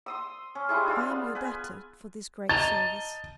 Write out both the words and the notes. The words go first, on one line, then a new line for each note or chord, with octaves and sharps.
'I am your debtor for this great service.'
C6 D#6 E6
C#4
G3 G#3 E4 G#4
D4 F4 F5 E6
B3
B4 G#5
D#5 A5 A#5 A6